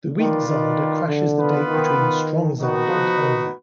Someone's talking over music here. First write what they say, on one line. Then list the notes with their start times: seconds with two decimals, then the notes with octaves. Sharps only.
The weak Xander crashes the date between strong Xander and Anya.
0.17 D#3 F4 B4 D5
0.47 D#3
1.07 D3
1.37 B3 F4 B4
1.68 D#3
1.98 D#3
2.57 D#3 B3 D#4 F#4 B4
2.87 F3
3.18 D#3